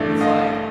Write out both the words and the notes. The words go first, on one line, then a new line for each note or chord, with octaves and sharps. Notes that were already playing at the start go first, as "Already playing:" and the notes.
it's like,
Already playing: A1 G2 E3 A3 D5 E5
D#5 F5